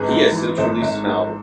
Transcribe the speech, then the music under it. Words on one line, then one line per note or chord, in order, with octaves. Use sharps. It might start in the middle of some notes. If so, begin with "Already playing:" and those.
He has since released an album.
Already playing: G#1 G#4 B4
G#2
E3
G#1 A4 C5
G#1
G#2